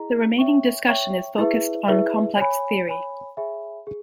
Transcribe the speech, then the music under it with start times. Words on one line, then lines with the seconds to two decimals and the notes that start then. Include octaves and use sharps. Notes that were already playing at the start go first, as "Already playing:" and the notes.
The remaining discussion is focussed on complex -theory.
Already playing: E4 G#4 D#5 A#5
0.38 C#5 E5 G5 C#6
0.88 C#5 E5 G5 C#6
1.38 E4 G#4 B4 E5
1.88 E4 G#4 B4 E5
2.37 C#5 G#5 B5
2.87 C#5 G#5 B5
3.37 G#4 C#5 E5 G#5 B5
3.87 G#4